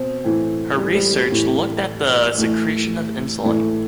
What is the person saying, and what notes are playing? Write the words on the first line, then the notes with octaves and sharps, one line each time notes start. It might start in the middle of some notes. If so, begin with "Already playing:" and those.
Her research looked at the secretion of insulin.
Already playing: B2 C4
A2 E3
G3
G3
G3
A2 E3
A2 E3 A3
A2 E3 A3